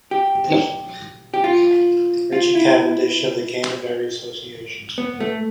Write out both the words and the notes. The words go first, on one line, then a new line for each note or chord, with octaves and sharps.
Richard Cavendish of the Canterbury Association.
G4
G4
F4
F4
E4
B3
A3